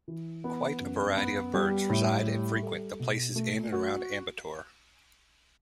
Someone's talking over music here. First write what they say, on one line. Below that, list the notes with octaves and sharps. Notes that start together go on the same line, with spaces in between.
Quite a variety of birds reside and frequent the places in and around Ambattur.
E3
B3
F#2
B3
G3
A2
G3
A4
B2
A3
F#4